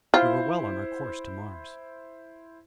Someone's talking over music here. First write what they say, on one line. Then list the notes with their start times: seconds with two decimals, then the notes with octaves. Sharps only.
We were well on our course to Mars.
0.14 E4 F4 C5